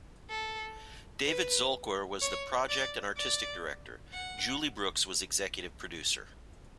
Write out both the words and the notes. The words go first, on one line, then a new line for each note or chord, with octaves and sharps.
David Zolkwer was the Project and Artistic Director, Julie Brooks was Executive Producer.
A4
B4
C#5
D5
D5
F#5